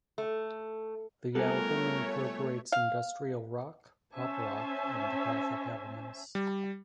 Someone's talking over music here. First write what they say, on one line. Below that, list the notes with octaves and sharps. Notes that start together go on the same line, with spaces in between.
The album incorporates industrial rock, pop rock and gothic elements.
A3
G3 A3 B3 F4 A4 A#4 C#5 G#5
F5
C#4 C5 E5 G#5 A5
G3